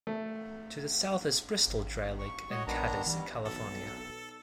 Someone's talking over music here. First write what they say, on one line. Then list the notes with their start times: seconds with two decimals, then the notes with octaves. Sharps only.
To the south is Bristol Dry Lake and Cadiz, California.
0.07 A3
1.68 G#1
2.19 C#6
2.50 G#3 F#4 C#5 D#5
2.67 A#1 D#3 B3 D4 A#5
3.06 E3 G3
3.45 B1 A4